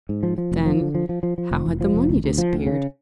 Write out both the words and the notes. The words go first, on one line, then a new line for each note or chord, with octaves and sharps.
But then--how had the money disappeared?
G#2
F3
F3
F1
F3
D3
F3
F3
F3
F3
F1
F1
F3
F1
D2
D2
F3
D2
C#3